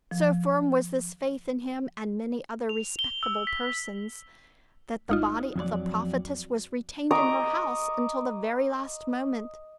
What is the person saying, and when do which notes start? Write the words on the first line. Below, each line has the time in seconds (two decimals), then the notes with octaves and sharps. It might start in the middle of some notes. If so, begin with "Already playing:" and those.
So firm was this faith in him and many other respectable persons, that the body of the Prophetess was retained in her house until the very last moment.
0.11 F3
2.69 F7
2.99 G7
3.23 E6
3.47 B6
5.09 G#1 D#4 F4
5.56 F2 F#3 D5
7.11 D#5 A#5 C#6 D6